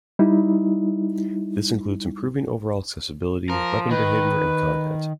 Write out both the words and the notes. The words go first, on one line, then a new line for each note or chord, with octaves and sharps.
This includes improving overall accessibility, weapon behavior, and content.
G3 D#4 E4
F3 A#4
D#3 B4